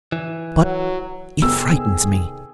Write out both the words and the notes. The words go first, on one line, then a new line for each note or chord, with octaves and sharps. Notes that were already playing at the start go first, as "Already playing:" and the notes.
But--... it frightens me.
E3
F#3
C3 D#3 B3 G#4 A4 E6